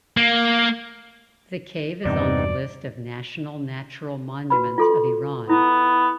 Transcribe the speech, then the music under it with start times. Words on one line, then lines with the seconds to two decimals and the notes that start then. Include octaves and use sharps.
The cave is on the list of national natural monuments of Iran.
0.17 A#3
2.05 E2 G2 C3 B3 C4 D4 D#4 D5
4.50 F#4 B4 B5
4.78 F4 A4 C6
5.49 B3 E4